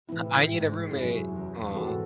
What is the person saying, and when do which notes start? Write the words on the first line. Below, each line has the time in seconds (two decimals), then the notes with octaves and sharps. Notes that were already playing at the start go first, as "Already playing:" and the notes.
"I need a roommate." Aw.
0.09 A2 C3 E3 C4 E4
0.50 G#2
0.91 F#2 C3 F#3 C#4 E4 G#4
1.32 E2
1.72 G#2 E3 C4 F#4 A4